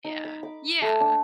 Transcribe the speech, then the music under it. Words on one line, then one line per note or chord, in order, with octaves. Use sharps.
Yeah, yeah.
D#4
B5
D6
A3
D4